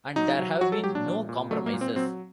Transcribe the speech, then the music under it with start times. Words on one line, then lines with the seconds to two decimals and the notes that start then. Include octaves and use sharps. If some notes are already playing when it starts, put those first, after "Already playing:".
And there have been no compromises.
0.16 F#3 D#4
0.39 F#3
0.61 F#3 F#4
0.72 A4
0.84 F#3 G4
0.95 D4
1.06 A#2
1.29 A#2
1.51 F#3 A3
1.66 A#3
1.73 A#2
1.81 C4
1.96 F#3 C4